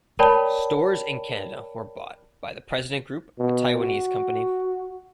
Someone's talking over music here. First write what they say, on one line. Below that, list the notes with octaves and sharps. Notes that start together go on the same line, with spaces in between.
Stores in Canada were bought by The President Group, a Taiwanese company.
A#4 C#5 D5 G5 A5 B5
B2
F#4